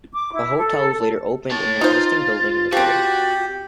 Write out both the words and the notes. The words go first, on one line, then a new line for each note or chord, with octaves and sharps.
A hotel was later opened in an existing building in the village.
D6
E4
A4
C#5 A5 A6
D#4 F4 C5
F3 C4 F#4 G4